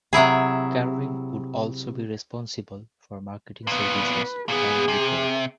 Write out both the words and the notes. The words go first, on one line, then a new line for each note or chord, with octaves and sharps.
Caroline would also be responsible for marketing services when required.
C3 F#3 E4 G#4
A#2 B3 B4
A#2 B3 G#4
C3